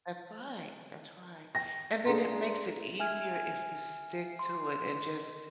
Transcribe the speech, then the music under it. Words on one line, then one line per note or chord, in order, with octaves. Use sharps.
That's right, that's right. And then it makes it easier if you stick to it and just
G5 A#6
D4 G#4 A4 A#5 C6
E5 G#5 F6 G#6
C6